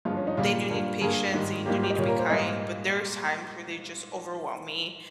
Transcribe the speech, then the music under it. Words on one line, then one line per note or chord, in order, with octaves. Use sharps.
they do need patience, and you do need to be kind, but there's times where they just overwhelm me,
G2 F3 G#3 F4
C#4
D#4
A#2 G3 A#3 F4
G2 G3 A#3
G2 G3 A#3 G#4
G#2 D#3 G3
G#2 G3 A#3 G4
F4
G4
D#5
A#2 G3 A#3 C#5
A#4
C5
G#2 G3 A#3 D#5